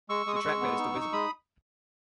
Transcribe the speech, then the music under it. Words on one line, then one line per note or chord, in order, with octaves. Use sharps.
The trackbed is still visible.
G#3 C#6 E6
G#3 D#6
C#6 E6
G#3
B3
D#4
D#4
C#6
G#3 B5 D#6